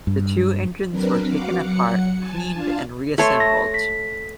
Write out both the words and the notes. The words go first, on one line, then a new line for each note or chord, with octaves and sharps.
The two engines were taken apart, cleaned and reassembled.
G2
F#3 C4 D4 A#4 B4
F#4 F5 F#5 D6
F#3 F#5 C#7
G#5 A5
D4 F4 F5 A5
A3 C#5 E5 A5 C6
A#6
B6